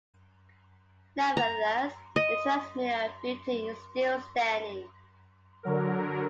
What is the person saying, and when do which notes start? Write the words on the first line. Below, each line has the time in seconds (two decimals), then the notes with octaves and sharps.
Nevertheless, the transmitter building is still standing.
1.37 A#5
2.16 D#5
5.63 D3 F#3 A#4